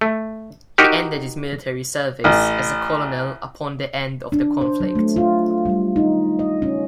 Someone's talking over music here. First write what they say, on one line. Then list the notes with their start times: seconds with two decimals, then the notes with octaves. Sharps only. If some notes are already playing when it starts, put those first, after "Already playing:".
He ended his military service as a colonel upon the end of the conflict.
0.01 A3
0.78 D#4 F#4 G4 A#4
2.24 A1
4.32 D4
4.61 C5
4.80 F#3
4.95 A3
5.16 F4
5.65 G3
5.96 D#4
6.39 D#5
6.62 C#4